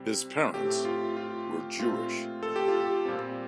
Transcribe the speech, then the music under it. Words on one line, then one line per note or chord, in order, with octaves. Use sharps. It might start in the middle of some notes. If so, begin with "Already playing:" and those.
His parents were Jewish.
Already playing: C3 G3 C4
A2 A3 C4 G4
F4
F4
A#2 A3 C4 F4
A4
G4
F4
G4
A#2 G3 C4